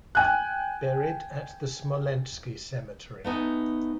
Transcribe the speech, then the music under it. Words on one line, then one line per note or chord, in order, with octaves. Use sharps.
Buried at the Smolensky Cemetery.
G5 G#5 F#6
A3 B3 D#4 G#5